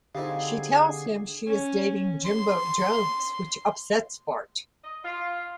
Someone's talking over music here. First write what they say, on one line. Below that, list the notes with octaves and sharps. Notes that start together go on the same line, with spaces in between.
She tells him she is dating Jimbo Jones, which upsets Bart.
D3 G3 C4 D#4 G#4 F5
C#4
C6
D#5
F4